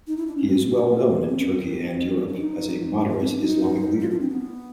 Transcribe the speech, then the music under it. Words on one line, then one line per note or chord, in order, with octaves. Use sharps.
He is well known in Turkey and Europe as a moderate Islamic leader.
D#4
E4
D4
C#4
C4
A#3
A#3
B3
C4
C#4
C4
D4
D#4
B3
C4
D4
D#4
F4
D4
C4
B3